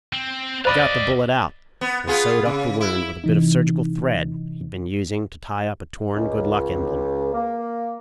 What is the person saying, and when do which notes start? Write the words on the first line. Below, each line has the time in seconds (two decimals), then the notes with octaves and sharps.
He got the bullet out and sewed up the wound with a bit of surgical thread he'd been using to tie up a torn good-luck emblem.
0.13 C4
0.65 C5 D5 D#5 F5 B5 D6
1.81 B3
2.07 B3 F4 G#4
2.45 C#3
2.80 E4
3.24 C3 E3 D#4
6.15 C#2
7.33 A#3